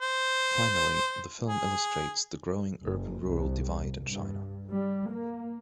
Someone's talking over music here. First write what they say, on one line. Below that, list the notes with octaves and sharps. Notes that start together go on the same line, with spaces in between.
Finally, the film illustrates the growing urban-rural divide in China.
C5
G#4
F#1
C2
G2
G3
A#3